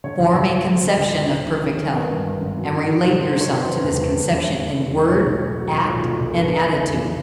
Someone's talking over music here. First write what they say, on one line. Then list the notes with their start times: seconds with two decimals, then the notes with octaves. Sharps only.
Form a conception of perfect health, and relate yourself to this conception in word, act, and attitude.
0.04 D3 C#5
0.20 D2
0.35 D2
0.51 F#3
0.67 F#3 C5
0.83 D3
0.98 D3
1.14 D2
1.30 D#3
1.46 D#3
1.62 G#1
1.77 D#3
1.88 B4
1.93 G#1 A#4
2.09 G2
2.25 G#1
2.41 G#1
2.57 F#3
2.73 D#3
2.89 F#3
3.04 C3
3.20 C3 C5
3.36 C3
3.41 C#5
3.52 F#3
3.57 B4
3.62 C5
3.68 D#3
3.83 E1 B4
3.99 D#3
4.15 E1
4.31 D#2
4.46 E1
4.62 E1
4.78 E1
4.94 D#3
5.10 B1 C#5
5.26 B1
5.41 B1
5.57 F#3
5.73 B1
5.89 A#2
6.04 B1
6.20 B1 A#4
6.36 C#3 B4
6.52 C#3
6.68 E2
6.83 F1